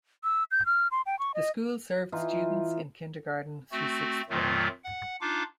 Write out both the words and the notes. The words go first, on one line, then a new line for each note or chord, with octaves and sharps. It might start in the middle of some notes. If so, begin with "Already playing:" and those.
The school served students in kindergarten through sixth grade.
E6
G6
F6
C6
G5
C#6
D#5
E3 D#4 F4
A3 C4 F#4
F2 A#2 D#3 F#3 A3 F4
F#5
D4 D#4 F4 F5 D6